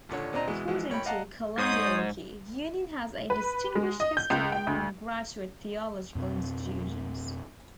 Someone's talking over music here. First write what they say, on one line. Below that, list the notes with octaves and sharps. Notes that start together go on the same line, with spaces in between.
According to Columbia Wiki, Union has a distinguished history among graduate theological institutions.
D#2 A#2 D3 C#5
A#2 C4 D4 D#5 A#5
B2 E3 G#3
E3 F3 G#3
G#1 C#5 G5 B5
D#5 F5 F#5 A5 A#5
G#2 C5 C#5 D#6
B4
G#3
D#5
G6
C#2
G5
D2
F2 B2 C4